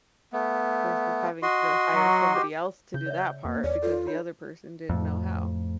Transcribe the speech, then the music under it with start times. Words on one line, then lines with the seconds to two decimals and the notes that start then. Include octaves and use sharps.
versus having to hire somebody else to do that part because the other person didn't know how.
0.33 A3 B3
1.42 F#4 D#5 C6
1.95 F#3
2.35 G4
2.94 C#3 G6
3.06 C#5 D5 E5
3.45 F2 A#3
3.64 E2 B4 C#5 D5
3.82 F4 A4 B4 C#5
4.07 D#4 F#4 C#5 B5
4.90 F2 A2